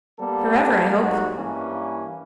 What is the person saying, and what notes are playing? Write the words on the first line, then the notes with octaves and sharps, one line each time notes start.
Forever, I hope.
G3 A#3 B3 A4
G#2 F#3 G3 F#4
G2 E3 A#3 C#4